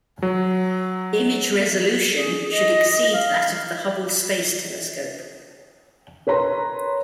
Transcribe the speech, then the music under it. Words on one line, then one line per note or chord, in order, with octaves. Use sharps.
Image resolution should exceed that of the Hubble Space Telescope.
F#3
G#4
D#5
F5
A#4 B4 C#5 A#5 C6